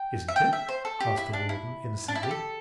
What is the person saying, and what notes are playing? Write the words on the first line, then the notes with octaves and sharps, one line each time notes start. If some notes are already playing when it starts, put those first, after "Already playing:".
"Isn't it?" asked the warden, innocently.
Already playing: G5
E5
G5
E5
C5
A4
G4
E4
D4
E4
D4
E4
G4
A4